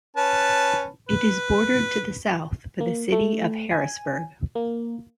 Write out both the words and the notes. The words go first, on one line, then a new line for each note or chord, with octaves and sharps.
It is bordered to the south by the city of Harrisburg.
C#4 B4 A5
B4
A#3
A3
G#5
A#3